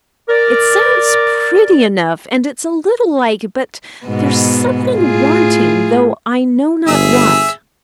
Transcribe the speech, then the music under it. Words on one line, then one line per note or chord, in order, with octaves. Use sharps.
"It sounds pretty enough, and it's a little like, but there's something wanting, though I know not what!"
A#4 D5
G#2 B2 B3
A2 F4 G#4
G1 G#4 E5 E6